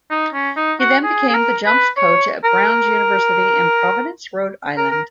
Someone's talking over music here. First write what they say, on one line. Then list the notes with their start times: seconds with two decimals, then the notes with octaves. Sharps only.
He then became the jumps coach at Brown University in Providence, Rhode Island.
0.11 D#4
0.34 C#4
0.56 D#4
0.80 F#4
1.03 G#4
1.29 G#4
1.35 A#4
1.66 B4
1.97 C#5
2.44 A#4
4.77 A#4
4.91 A#4